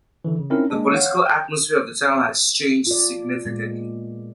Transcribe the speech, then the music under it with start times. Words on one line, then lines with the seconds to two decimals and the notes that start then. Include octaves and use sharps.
The political atmosphere of the town has changed significantly.
0.25 D3 E3
0.39 C#3
0.50 C4 C#4 D#4 E4 A#4
0.70 G#3 A#3 D4
0.92 C#5 F5 F#5
1.26 G5
2.87 F4 D5
3.45 A#2 G#3 B3